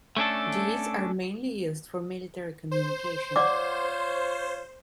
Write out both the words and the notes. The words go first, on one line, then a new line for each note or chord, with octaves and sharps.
These are mainly used for military communication.
A3 C#4 D4 A4
C5
F4 C#5 D5 F#5 D6